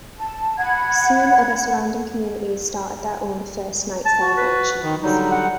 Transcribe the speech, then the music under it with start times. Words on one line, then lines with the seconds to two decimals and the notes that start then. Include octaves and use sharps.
Soon other surrounding communities started their own First Night celebrations.
0.17 A5
0.58 F#5 B5 G#6
4.06 A5
4.20 F#4
4.37 B4
4.82 D#3
5.03 D3 F#3 G3 D#4
5.31 F#5